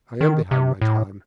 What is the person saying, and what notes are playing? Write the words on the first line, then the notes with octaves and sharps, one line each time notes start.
"I am behind my time."
D#3
C3
A2